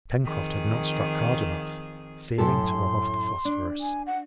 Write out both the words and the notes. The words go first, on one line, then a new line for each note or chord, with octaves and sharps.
Pencroft had not struck hard enough, fearing to rub off the phosphorus.
F2 D#3 G#4
F#2 A2 A4 C6
D4
G#5
F#5